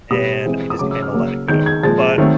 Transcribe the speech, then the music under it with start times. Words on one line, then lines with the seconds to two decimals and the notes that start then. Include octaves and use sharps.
and I just kinda let it go, but,
0.11 B2 G3 B3 D#6
0.46 E3 G#3 C4
0.70 D#6
0.79 C#3 F#3 A3 D6
0.91 E6
1.02 F6
1.14 C#3 F#3 A#3
1.48 D#3 G#3 B3 G6
1.66 G#6
1.83 A#2 F3 G#3 A6
2.18 D#3 F#3 A3 C4